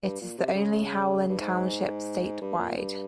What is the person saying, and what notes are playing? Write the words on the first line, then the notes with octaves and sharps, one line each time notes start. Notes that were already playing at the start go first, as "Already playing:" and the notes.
It is the only Howland Township statewide.
G2
A#2
C3
C#3
G2
G#2
G2
A#2
G2